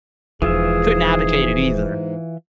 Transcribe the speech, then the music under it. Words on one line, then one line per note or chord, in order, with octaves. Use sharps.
couldn't advocate it either.
E1 G#2 E3 F3 F4 G#4 E5